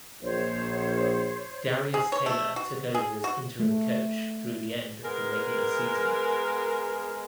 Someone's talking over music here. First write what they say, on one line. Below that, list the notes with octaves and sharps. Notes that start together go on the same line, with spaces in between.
Darius Taylor took over as interim coach through the end of the regular season.
A#1 C5 C#5
G#4
C#5
A3
F#4
G#4
F#4
A3
G#3 B3 A#4